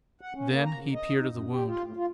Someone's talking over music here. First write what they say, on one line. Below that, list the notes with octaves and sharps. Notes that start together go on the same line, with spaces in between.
Then he peered at the wound.
F#5
C#4
A#3
A#5
C#3
D#5
D#4
F#2
G4
F4
A2
F4